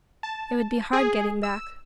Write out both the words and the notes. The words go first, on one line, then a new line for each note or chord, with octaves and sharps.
It would be hard getting back.
A5
G#4
E6